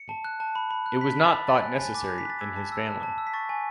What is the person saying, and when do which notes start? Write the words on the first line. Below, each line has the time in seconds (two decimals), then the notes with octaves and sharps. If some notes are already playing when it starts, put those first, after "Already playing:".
It was not thought necessary in his family.
Already playing: C#7
0.09 A5
0.25 F#6
0.40 A5
0.55 B5
0.71 B5
0.86 F#6
1.01 B5 B6
1.16 B5
1.25 A6
1.32 B5
1.48 G#5 A6
1.63 F#6
1.79 G#5
1.94 D6
2.10 G#5
2.18 B6
2.25 F#6 A6
2.41 E6 G#6
2.56 A5
2.72 E6
2.87 A5
3.03 A5
3.18 E6
3.27 B6
3.33 C#6 A6
3.49 G#5